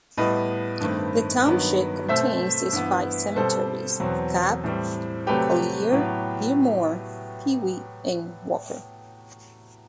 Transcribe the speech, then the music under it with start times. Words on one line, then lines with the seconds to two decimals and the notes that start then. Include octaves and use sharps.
The township contains these five cemeteries: Capp, Collier, Gilmore, Peewee and Walker.
0.17 A2 G3 B3 B4 D#5
0.81 G2 D#3 A3 C4
1.45 G2 D#3 F#3 B3
2.09 B2 A3 C4 C5 E5
2.73 G2 E3 B3
3.36 B2 G3 C4 A4 C5
4.00 E2 B2 F#3 C4
4.64 A2 E3 G3 C4
5.27 C3 F#3 A3 C4 G4 B4
5.92 A2 F#3 B3